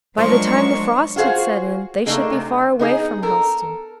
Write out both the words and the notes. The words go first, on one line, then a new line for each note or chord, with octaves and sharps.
By the time the frost had set in, they should be far away from Helstone.
F3 F#3 G#3 D4 A#4 C#6
F4 F#4 G#4 C5 F5
A3 A#3 D4 D#4 G#4
C3
B3 D#4 G#4
A4 A#4